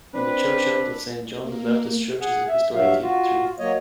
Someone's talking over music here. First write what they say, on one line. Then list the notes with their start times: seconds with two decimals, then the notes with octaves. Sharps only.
In the churchyard of Saint John the Baptist's church is a historic yew tree.
0.14 C4 D4 B4
1.41 A#3
2.21 G#4 F#5
2.48 E5
2.75 G2 F#3 E5 F5
3.03 F4 F#4
3.59 F#3 A#3 C#5 D#5